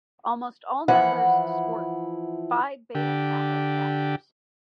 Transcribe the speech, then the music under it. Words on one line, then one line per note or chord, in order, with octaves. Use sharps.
Almost all members sport Phi Beta Kappa chapters.
E3 F3 E4 F#5
D3 G4